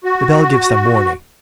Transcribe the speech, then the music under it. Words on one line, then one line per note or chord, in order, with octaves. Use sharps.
The bell gives them warning.
F#4